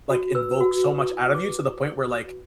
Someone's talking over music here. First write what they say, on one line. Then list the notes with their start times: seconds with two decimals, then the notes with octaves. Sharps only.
like invoke so much out of you to the point where like
0.10 F#4
0.35 B4 E6
0.60 F#4
0.85 B4
1.10 E4
1.35 B4 D6
1.60 E4
1.85 B4
2.10 F#4